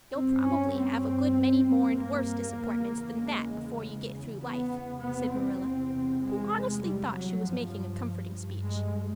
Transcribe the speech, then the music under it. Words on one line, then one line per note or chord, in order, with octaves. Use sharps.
"You'll probably have a good many more and worse disappointments than that before you get through life," said Marilla, who honestly thought she was making a comforting speech.
G2 C4
C#4
C4
A#3
E2 C#3
G#3
B3
E2 C3 B3
C4
G#3
G3
F#3
G2 F3
G#3